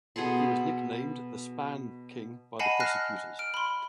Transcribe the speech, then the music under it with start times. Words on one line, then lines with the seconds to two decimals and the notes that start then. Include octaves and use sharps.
He was nicknamed the "Spam King" by prosecutors.
0.16 B2 G#4 A4 C6
2.59 D#5 F#5 G#5 A5 B5 C7
2.80 F6 F#6 A#6 C7
3.39 F6 D7
3.54 B5 C6